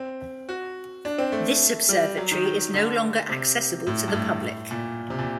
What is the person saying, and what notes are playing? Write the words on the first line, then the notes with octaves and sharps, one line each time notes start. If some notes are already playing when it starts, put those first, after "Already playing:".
This observatory is no longer accessible to the public.
Already playing: C4
F#4
D4
C4
A3
G3
F#3
D#3
F#3
D3
C3
A2
G2
A2
A#2
C3
A#2